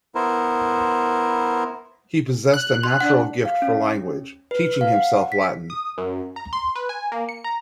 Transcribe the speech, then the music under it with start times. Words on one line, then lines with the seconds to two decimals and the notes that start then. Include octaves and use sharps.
He possessed a natural gift for language, teaching himself Latin.
0.15 B3 E4 A#4 C5
2.54 F#6
2.83 C6
3.00 D4 F#5
3.45 F5
3.62 C#4
4.51 B4
4.81 F5
4.96 F#5
5.32 B6
5.70 D#6
5.98 F#2
6.36 A#5
6.53 C6
6.76 B4
6.89 G#5
7.12 A#3
7.29 C#7
7.44 A#5